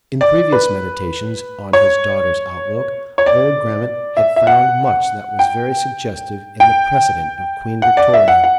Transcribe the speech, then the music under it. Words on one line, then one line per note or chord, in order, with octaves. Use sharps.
In previous meditations on his daughter's outlook old Grammont had found much that was very suggestive in the precedent of Queen Victoria.
D5
B4
C#5
C#5
D5
E5
E5
F#5
G5
G5
F#5
D5
E5
F#5
F#5